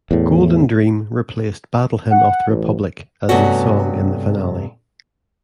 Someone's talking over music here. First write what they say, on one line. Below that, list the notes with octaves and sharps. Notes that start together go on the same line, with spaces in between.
"Golden Dream" replaced "Battle Hymn of the Republic" as the song in the finale.
E2 A2
F#5
A1
G2 C3 A3 B3 C#4 F#4